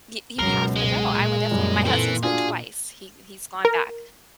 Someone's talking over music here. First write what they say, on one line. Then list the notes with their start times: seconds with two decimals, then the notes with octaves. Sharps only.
Y you have to go, I would definitely my husband's been twice, he he's gone back.
0.39 C#2 F#2 B2 A#4 C7 F7 G7
0.76 G#3
1.10 A#2 G#4
1.51 F#2 G3
1.86 E3 C4 A4
2.23 D4 F4 F#4 G#4
3.65 A#4